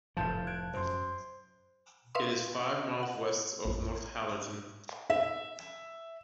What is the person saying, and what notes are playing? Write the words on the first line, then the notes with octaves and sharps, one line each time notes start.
It is five miles west of Northallerton.
F1 A2 F3 F5 A5 G6
F#6 G#6 D7
F#2 C5 C6
B4 E5 F5 C6 C#6 D#6
F#5
A1 F2
E5